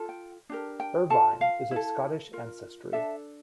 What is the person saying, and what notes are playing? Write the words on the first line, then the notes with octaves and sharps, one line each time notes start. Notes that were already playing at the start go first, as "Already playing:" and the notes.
Irvine is of Scottish ancestry.
Already playing: F4 A4
G5
D4 G4 A#4
G5
F4 A4 A5
F5
E4 A4
F4 A#4
D4 A4 E5